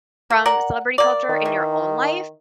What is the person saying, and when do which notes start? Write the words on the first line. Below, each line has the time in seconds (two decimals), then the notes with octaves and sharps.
from celebrity culture in your own life,
0.30 A#3
0.46 A#4 D5 F#5
0.98 A#3 D5
1.29 D#3
1.45 E3